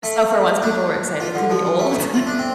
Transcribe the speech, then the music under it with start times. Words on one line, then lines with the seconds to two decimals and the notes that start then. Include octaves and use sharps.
So, for once, people were excited to be old?
0.03 A3
0.62 D4
1.20 F4
1.35 D3
1.50 F3
1.79 A3
2.14 F4
2.27 D4
2.39 C4